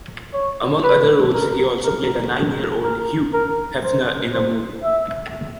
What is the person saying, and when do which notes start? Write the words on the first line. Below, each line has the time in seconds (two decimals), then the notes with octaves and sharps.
Among other roles, he also played a nine-year-old Hugh Hefner in a movie.
0.34 C#5
0.83 B4
1.34 A#4
1.84 A#4
2.84 A#4
3.34 A#4
3.84 C5
4.34 C5
4.83 E5